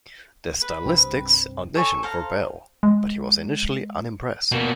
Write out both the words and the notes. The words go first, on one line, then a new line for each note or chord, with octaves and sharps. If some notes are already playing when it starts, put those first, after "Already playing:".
The Stylistics auditioned for Bell, but he was initially unimpressed.
B4
C2 G2 C4
A4 C#5 G#5
A4 C5 F5 A#5
G#3
B2 A#3